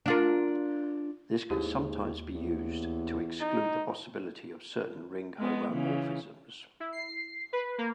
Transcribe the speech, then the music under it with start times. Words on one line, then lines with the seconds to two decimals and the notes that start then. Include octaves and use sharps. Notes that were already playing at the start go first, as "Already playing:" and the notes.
This can sometimes be used to exclude the possibility of certain ring homomorphisms.
0.06 D4 F4 A#4
1.50 D#2 G#2 E4 G4
2.35 E2
3.41 D#4
5.38 G#3 B3
5.72 C#3 E3
6.80 E4
6.93 C7
7.53 B4
7.78 A#3